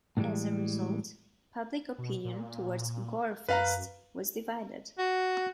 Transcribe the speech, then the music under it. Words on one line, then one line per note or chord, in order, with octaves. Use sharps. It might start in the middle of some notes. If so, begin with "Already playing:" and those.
As a result, public opinion towards Gorefest was divided.
A2 D3 E3 G3 G#3
B2
A#2
F#2 B4 F5 A#5
F#4